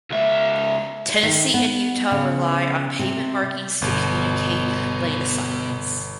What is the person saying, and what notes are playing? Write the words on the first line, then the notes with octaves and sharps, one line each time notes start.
Tennessee and Utah rely on pavement markings to communicate lane assignments.
C#2 E5
D#3
B3
C#3
C3
G1 B2